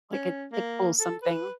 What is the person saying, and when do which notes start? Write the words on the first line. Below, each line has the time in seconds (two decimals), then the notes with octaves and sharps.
like, it it pulls something
0.13 C#4
0.52 A#3
1.00 A4
1.22 B4